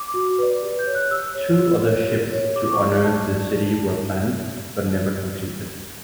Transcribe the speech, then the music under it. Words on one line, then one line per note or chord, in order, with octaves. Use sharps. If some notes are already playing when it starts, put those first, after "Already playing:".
Two other ships to honor the city were planned, but never completed.
Already playing: D6
F#4
B4 D5
G4
G6
C#5
F#6
G4 E6
C#5
G4
C#5
G4
C#5
G4 D6
C#6
D5
G4 A5
D5